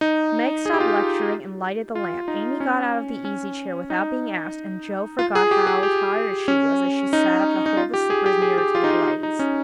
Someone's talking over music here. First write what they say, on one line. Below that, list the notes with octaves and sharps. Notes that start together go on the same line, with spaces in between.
Meg stopped lecturing, and lighted the lamp, Amy got out of the easy chair without being asked, and Jo forgot how tired she was as she sat up to hold the slippers nearer to the blaze.
D#4
G#4
G4
F4
G4
F4
D#4
C#4
C#4
D#4
F4
G#4
G4
G#4
G4
C#4
D#4
D#4
F4
G4
G#4
G4
G#4
G4
F4
D#4
F4
D#4
D#4
C#4